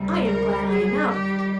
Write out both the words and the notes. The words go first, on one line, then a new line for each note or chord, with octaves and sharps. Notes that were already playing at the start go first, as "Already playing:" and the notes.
I am glad I am out of it.
Already playing: D2 C3 G3
A#4
G#4
F2 D#3 G3 G4